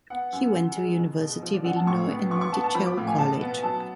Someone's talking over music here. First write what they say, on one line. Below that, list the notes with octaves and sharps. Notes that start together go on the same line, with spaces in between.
He went to University of Illinois and Monticello College.
B3 F#5
F#2
F#2
G#3
B2
B2
F3
D5
F#2 F#5
A5
A2 C#6
B3
B3 C#6
D6
C#6
B3 A5
A5
F3 B5
D6
A2 F5
G#5
B2 A5
B3
F#3 A5